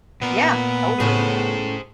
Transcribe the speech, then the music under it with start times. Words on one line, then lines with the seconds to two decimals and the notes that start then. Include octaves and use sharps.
Yeah, totally.
0.22 A#2 B3 A#4
1.00 A2 C#3 G#4 C5